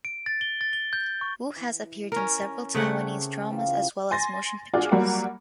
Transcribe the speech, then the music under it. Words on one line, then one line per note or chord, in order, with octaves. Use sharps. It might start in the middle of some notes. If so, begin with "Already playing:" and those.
Wu has appeared in several Taiwanese dramas as well as motion pictures.
D7
A6
G7
A6
G7
G6
C#6
E3
C#4 A#4
C#3 A3 C4 G4 A#4 F#5
E3 F4
G#5 C6 A6 A#6
D4 F4 F#4 G#4 D5
F#3 G3 A#3 F#4